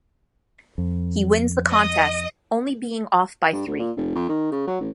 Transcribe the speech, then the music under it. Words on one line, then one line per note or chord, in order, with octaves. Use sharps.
He wins the contest, only being off by three.
F2
D#5 D#6
G2
D2
A#2
F1
F2
D#3
C#3
F#3
A1